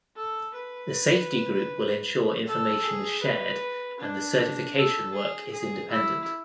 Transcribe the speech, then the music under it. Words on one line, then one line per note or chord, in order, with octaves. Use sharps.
The safety group will ensure information is shared and the certification work is independent.
A4
B4
A4
G#4
B4
D4
A4
G#4
G#4
E4